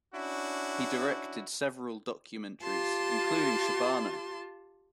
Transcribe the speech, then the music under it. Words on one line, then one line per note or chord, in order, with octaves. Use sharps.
He directed several documentaries, including Shabana!
C#4 D4 E4 F#4
F4 G4 A5 C6